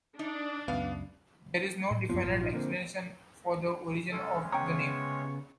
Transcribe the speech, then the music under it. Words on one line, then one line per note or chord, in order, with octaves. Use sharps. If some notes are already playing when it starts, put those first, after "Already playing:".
There is no definite explanation for the origin of the name.
D4 D#4
C#2 F#2 B3 F5
A2
F#2 F3 A#3 B3
A#1 G#2 F4
D#4 F4 F#4
D3 A#3 C4 D4
C3 G#3 C#4 A4
C#3 B3 C#5 G5 A#5 D#6